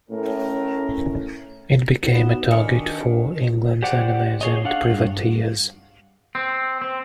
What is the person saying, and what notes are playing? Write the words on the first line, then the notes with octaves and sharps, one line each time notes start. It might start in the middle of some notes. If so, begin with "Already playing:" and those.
It became a target for England's enemies, and privateers.
A2 A3 C#4 A4 A#4
B3 D#4 F#4 E7
D#3 D4 G#5 C#7
G4 C5 D5 F#5
G#4 C#5 D#5
D4 F5 F#5
G2
C4
C4